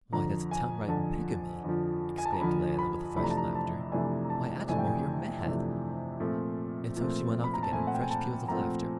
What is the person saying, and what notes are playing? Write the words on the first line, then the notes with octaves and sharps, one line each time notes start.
"Why, that's downright bigamy!" exclaimed Layelah with fresh laughter. "Why, Atam-or, you're mad!" and so she went off again in fresh peals of laughter.
F2 D3 F3 A#5
G#5
F2 D3 F3 A5
F2 D3 F3
G#5
A5
A#5
F2 D3 F3 B5
B5
F2 C3 E3 A3 D4 B5
A#5
A5
A#5
A5
F2 C3 E3 A3 D4 G#5
A#5
A5
F2 C3 E3 A3 D4 G#5
G5
G#5
F2 C3 E3 A3 D4
A#2 F3 A3 C4
A#2 F3 A3 C4
B5
A#5
A5
A#2 F3 A3 C4 G#5
F#5
G5
G#5
A5
A#2 F3 A3 C4 A#5